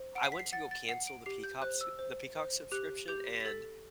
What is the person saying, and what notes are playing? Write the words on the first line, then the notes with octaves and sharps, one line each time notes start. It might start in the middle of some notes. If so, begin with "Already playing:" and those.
I went to go cancel the Peacops the Peacock subscription, and
Already playing: C5
F#5 D7
C7
B6
C7
F#5 A6
A6
F#5 C7
D7
G4 C7
G6
C5 F#6
E6
C5
C5
G4 F#6
G4 G6
B6
A4 A6